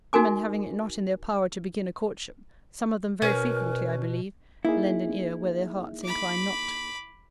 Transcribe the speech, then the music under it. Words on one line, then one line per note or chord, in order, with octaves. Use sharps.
Women having it not in their power to begin a courtship, some of them very frequently, I believe, lend an ear where their hearts incline not.
D#4 F#4 A#4 G#5 D6
B2 C#4 A#4 B4
A#3 D#4 E4 G#4
B5 D6